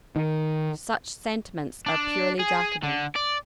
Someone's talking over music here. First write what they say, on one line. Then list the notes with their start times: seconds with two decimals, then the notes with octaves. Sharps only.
Such sentiments are purely Jacobin.
0.16 D#3
1.86 D4
2.39 G#4
2.83 D3
3.16 D5